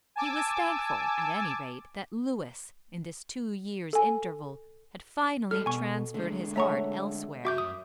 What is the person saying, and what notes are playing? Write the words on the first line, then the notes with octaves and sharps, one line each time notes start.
He was thankful, at any rate, that Louis in this two years' interval had finally transferred his heart elsewhere.
G#5 A5 D6 E6
A4 G#5
G3 G#3 A4 F6
B2 G#5 C#6
D3 G#3 A3
A3 C#5 E5 F#5 A#5 C#6
F#2 F#4 E5 D6 G6
D#6